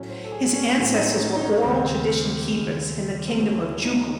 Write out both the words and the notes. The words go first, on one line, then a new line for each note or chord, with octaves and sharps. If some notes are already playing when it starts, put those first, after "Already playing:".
His ancestors were oral tradition keepers in the kingdom of Djougou.
Already playing: A2 F#3 A3 C#4
C5
A4
G#4
C#4
A2 F#3 A3 C4
D#4
C#4
D#4
C#4
D#2 C#3 G#3 C4
D#2 C#3 G#3
C4
D#2 C#3 F#3 A3 C#4
E4
D#4